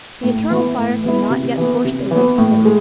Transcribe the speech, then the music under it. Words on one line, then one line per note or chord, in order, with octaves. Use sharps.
The internal fires had not yet forced their way through.
A2
E3 B3 E4
A2
E3 B3 E4
C3
E3 B3
C3
E3
B3
A2
G#3